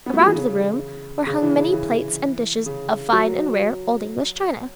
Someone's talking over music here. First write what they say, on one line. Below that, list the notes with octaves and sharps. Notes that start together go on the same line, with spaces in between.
Around the room were hung many plates and dishes of fine and rare old English china.
B3
A3
F#3
E3
C#3
C#3
E3
C#3
E3
C#3
F#3